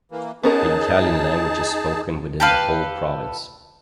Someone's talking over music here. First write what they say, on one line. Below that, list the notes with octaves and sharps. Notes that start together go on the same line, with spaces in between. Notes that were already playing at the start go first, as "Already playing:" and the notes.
The Italian language is spoken within the whole province.
E3 A#3
B3 C#4 D#4 G#4 A#4 A5
G4 A4 B4 F5